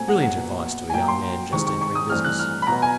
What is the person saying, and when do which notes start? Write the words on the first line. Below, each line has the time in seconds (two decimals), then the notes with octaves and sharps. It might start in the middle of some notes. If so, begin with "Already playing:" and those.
Brilliant advice to a young man just entering business!
Already playing: A#2 F#3 A3 C4 G#5
0.08 F#5
0.23 F#5
0.37 A#2 F#3 B3
0.90 G#5
0.94 A#2 F#3 A#3 G5
1.08 C6
1.52 C3 D#3 G#3 C4 C#6
1.67 C#6
1.81 C#6
1.95 D#6
2.10 G2 E3 A3 C4 F6
2.25 F#6
2.39 F6
2.62 B5
2.67 B2 F#3 B3 A#5
2.82 G#5